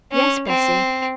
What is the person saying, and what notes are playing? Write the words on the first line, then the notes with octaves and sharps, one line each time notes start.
'Yes, Bessy.
C#4
C4